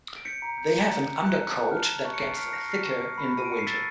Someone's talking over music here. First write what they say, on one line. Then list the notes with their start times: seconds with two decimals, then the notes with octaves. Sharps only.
They have an undercoat that gets thicker in the winter.
0.16 D7
0.25 G6 B6 C#7
0.42 A#5
0.58 G6
0.74 A#5
0.91 A#5
1.06 A#5
1.23 F#6
1.39 A5
1.55 A5
1.71 F6
1.88 F6
2.05 C#6
2.14 C#7
2.20 C#6 C7 D7
2.37 F6 B6 C#7
2.52 F6 A#6 C7
2.69 F6 A#6 C7
2.85 C#6
3.01 F6
3.18 B5
3.34 B5 D#7
3.45 D7
3.51 B5 C#7
3.59 C7
3.66 E6 A6 B6